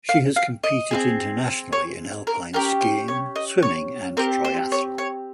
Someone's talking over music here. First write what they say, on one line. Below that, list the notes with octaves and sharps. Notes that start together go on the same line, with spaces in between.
She has competed internationally in alpine skiing, swimming and triathlon.
F5
F5
D#5
C4 F4 G#4
C#5
A#4
C#4 G4 A#4
C5
C#5
D#5
C#5
C4 G4 A#4
C5
C#5
C#5